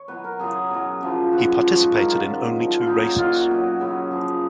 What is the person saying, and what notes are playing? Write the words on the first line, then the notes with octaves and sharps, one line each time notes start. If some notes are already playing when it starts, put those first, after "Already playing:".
He participated in only two races.
Already playing: C#5
B2 F#3 B4
A#4
F#2 C#3 F#3 G#4
B2 F#3
F#2 C#3 F3
F#2 F3 F#4
C#5
G#2 F3 C#5
B4
F#2 D#3 F#3 A#4
F4
G#2 D#3 F#3
A#2 F3
F4
F#2 D#3 F#3 D#4
C#4
A#2 F#3 F4
F#4
B2 F#3
F#2 C#3 F#3
F#2 F3 G#4